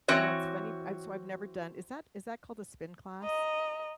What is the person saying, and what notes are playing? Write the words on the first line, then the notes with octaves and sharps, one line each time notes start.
Well, it's funny b so I've never done is that is that called a spin class?
E3 C4 F#4 C#5
D#5 A#5